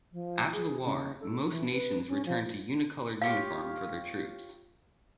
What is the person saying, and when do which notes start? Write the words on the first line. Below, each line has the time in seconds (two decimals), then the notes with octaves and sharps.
After the war, most nations returned to a unicoloured uniform for their troops.
0.12 F3
0.53 G#4
0.85 C#3
1.21 A4
1.48 E3
1.71 B4
2.08 C#4
2.26 F3
3.22 F4 G4 C#5 F5